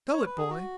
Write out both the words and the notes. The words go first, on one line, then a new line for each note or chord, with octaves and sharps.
"Go it, boy!"
C#5
B4
G#4
F#4